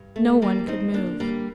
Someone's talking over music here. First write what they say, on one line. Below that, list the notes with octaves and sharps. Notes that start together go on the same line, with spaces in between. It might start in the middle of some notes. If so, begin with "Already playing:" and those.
No one could move.
Already playing: G2
A3
D#3
G3 A#3
G2 C4 D#4
A#3 D4
D3
G3 A#3